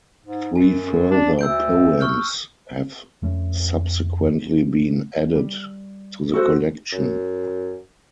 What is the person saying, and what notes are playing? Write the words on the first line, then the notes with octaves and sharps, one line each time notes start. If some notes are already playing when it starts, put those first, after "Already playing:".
Three further poems have subsequently been added to the collection.
G#2
F#2 G#5
D4
D2 E6 G6 D7
C#6 F6 G6
F2 A3 C#4
G3
F#4 A4 C5
F#2